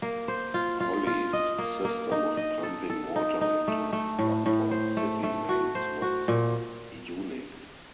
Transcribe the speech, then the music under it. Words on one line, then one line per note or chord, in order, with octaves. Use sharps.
Holly's system of pumping water into Lockport's city mains was unique.
A#3
C5
F4
F4
F4
D#5
A#3
A#3
D#4
D#5
A4
A4
D#4
D#4
A3
A3
A2
A2
C5
A3
A3
F#4
C5
F#4
A#2